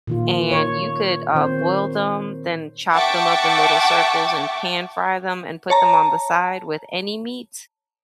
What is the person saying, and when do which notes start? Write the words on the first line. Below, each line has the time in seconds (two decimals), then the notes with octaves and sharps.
and you could, uh, boil them, then chop them up in little circles and pan-fry them and put them on the side with any meat,
0.07 A#2 D#3 F4
0.51 C#5
1.35 D#3 C4 C5
2.93 E5 F#5 G5 A5 C#6 D6
5.70 C#5 A5 A#5